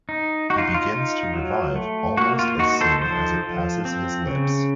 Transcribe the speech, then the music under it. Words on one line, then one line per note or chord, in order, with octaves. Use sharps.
He begins to revive almost as soon as it passes his lips.
D#4
D#4 F#4
F4
F4
D#4
F#3
A3
A#3 F#4
F4
D#4 F#4
A4 C5
F3 A4 C5
F3
C4
C#3